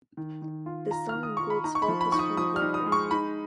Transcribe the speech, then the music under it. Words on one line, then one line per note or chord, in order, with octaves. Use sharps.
The song includes vocals from Vory.
D#3
D#3
F4
F4 A#5
F6
D#3
D#6
F4 C#6
B5
D#4 A#5
C#6
B5
F3
B5
D#4 C#6
D#6
F3 D#6
F6
D#4
D#6
G#3
C#6
D#4 B5